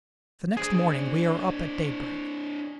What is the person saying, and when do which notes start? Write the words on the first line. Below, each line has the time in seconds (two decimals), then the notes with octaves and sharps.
The next morning we are up at daybreak.
0.57 C4 D4 G#4